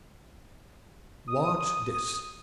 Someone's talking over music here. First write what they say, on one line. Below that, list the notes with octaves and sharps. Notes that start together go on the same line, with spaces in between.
Watch this.
D#6